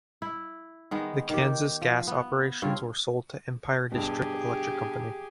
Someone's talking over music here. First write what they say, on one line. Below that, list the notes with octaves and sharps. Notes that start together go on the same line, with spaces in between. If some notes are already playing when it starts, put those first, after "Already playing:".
The Kansas gas operations were sold to Empire District Electric Company.
E4
D#3 G#3 B3
D#3 G4
F3
B3
G2 C4 F4 C#5
G2 B2 G4 G#4